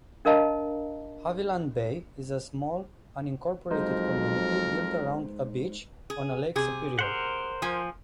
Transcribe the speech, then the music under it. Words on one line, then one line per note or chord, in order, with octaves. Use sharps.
Havilland Bay is a small unincorporated community built around a beach on Lake Superior.
D4 A#4 D#5 F5 A5 A#5
F2 F#3 G#3 D#4 A#4 C5
G#4
C3 G#4
A#4 C5 F#5
F3 G#5